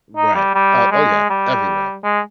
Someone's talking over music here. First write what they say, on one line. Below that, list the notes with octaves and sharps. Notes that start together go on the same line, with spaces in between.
Right, oh oh yeah, everywhere.
D#4
G3
G3
G#3
G3
G#3